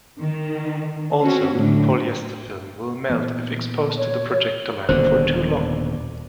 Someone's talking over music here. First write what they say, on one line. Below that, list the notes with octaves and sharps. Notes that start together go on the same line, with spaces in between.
Also, polyester film will melt if exposed to the projector lamp for too long.
D#3
C4 C#4 F#4
A2 D3 F#3
A#2 E3 B3
C#5
D#1 B2 D3 C5